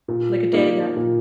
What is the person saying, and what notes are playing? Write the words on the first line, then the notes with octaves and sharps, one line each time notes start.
like a day that,
A#2
A#3 D#4
A#2